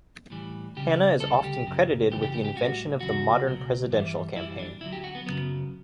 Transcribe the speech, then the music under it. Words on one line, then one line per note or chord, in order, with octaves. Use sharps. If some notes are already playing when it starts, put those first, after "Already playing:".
Hanna is often credited with the invention of the modern presidential campaign.
A2 E3 G3
C#2 C#3 G3 G4
D2 C#3 G3 A4
G4
F#2 C#3 F#3
F#2 C#3 E3 G3 G4
G4
G4
G4
A2 G3 F#4
E2 C#3 F#3 F#4
C#2 B2 F#3
G2 E3 G3
F#2 E3 G3 E4
D4
D2 D3 F#3 E4
G4
F#4
B3
F#2 C#3 F#3 B3